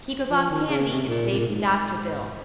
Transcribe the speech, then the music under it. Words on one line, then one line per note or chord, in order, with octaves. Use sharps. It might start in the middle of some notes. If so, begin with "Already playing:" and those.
Keep a box handy, it saves the doctor bill.
F3
D#3
C#3
C3
A#2
C3
A#2
G#2